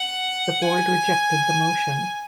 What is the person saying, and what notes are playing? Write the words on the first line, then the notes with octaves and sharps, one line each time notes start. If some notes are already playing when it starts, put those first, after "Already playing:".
The board rejected the motion.
Already playing: F#5
G#5